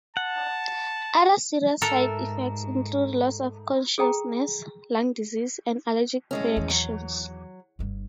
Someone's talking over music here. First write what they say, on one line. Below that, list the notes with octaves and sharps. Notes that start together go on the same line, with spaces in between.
Other serious side effects include loss of consciousness, lung disease, and allergic reactions.
F#5 A5
G#2 A3 A4 A#4 A#5 F#6
G#4 A4 G5 A#5
A2 G#3 C#4
E2 D#3
F#3
G1 G2